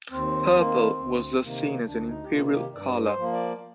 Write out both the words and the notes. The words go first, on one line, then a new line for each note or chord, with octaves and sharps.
Purple was thus seen as an imperial colour.
D#2 C4
D#3 A#3
D2
C3 D#3 A#3
D2 D4
D#4
G4
C3 D#3 A#3 F4
G4
G2 D5
C5
F3 A#3
D5